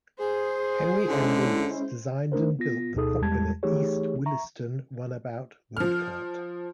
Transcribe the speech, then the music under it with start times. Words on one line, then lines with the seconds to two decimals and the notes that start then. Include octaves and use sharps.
Henry M. Willis designed and built the popular East Williston Runabout Roadcart.
0.20 G#4 C5
1.08 D3 G#3 C#4 E4
2.32 A3 D4 A#4 C5
2.59 B3 F4 A#6
2.96 D2 B2 D#4 G#4 A4 D#6
3.22 E2 G3 G#3 G4 A5 G#6
3.63 E3 A3 D#4 G4 G#4 C#5
4.26 E5 A#5 C#6
5.77 F3 F6